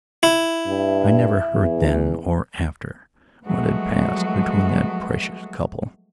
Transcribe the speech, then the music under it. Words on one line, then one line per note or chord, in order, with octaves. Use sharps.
I never heard then or after what had passed between that precious couple.
E4
G2 E5
E2
F3 F#3 G#3 A3 B3 F#4